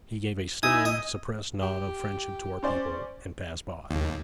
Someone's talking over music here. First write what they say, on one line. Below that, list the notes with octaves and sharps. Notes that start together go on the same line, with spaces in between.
He gave a stern, suppressed nod of friendship to our people, and passed by.
D#4 E4 G#5 D#6
D#5
G4
C#4 C5 D5
D#2